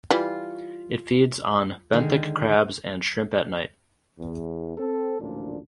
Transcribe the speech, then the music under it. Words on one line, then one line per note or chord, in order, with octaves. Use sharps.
It feeds on benthic crabs and shrimp at night.
E3 G3 F4
D3 D#3 G#3
E2
C4 A4
A1 D2 A#2 F3 D4